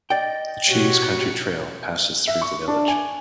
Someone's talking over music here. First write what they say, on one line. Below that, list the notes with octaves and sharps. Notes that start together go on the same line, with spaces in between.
The Cheese Country Trail passes through the village.
D5 D#5 G5
B2 F#4 G4 C#5
E5
C#6
D4
G#5